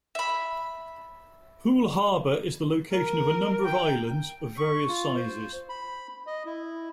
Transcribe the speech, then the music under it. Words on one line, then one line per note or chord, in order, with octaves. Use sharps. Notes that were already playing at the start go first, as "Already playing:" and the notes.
Poole Harbour is the location of a number of islands, of various sizes.
E5 B5
A#4
G5
C#6
F4
C5
B5
D#5
E4